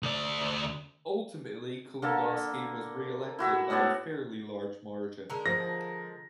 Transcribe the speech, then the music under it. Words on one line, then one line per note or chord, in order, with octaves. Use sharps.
Ultimately, Kulongoski was re-elected by a fairly large margin.
D2 D5
D3 A#3 A4
E4 F#4 E5
A2 B3 D5 A5
D3 G#3 A#4
F3 A#6